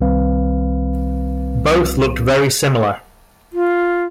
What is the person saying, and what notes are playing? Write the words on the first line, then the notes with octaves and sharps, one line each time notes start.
Both looked very similar.
C2 D#3 G3 C4 B4 F5
F4